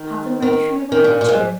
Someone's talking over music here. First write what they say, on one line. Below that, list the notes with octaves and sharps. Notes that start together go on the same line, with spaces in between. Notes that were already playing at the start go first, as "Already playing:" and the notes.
Have them ready for me when I return.
Already playing: D#3
D#3
D#3
A#2
A#2
G#2